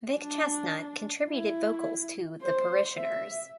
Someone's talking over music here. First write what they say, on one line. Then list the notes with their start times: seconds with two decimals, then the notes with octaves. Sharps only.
Vic Chesnutt contributed vocals to "The Parishioners".
0.20 D4
1.30 E4
2.42 C5
2.97 E5